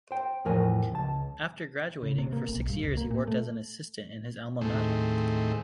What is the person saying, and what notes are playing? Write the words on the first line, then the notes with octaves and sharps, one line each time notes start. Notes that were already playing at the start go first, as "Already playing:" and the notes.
After graduating, for six years he worked as an assistant in his alma mater.
C5 G5
E2 A2 F3 A#4 G#5
C#2 A5
C#3
C3
A#3
B1
G2
C#2
A#3
A#2
A3
D#2 A2 G#3 A3 C4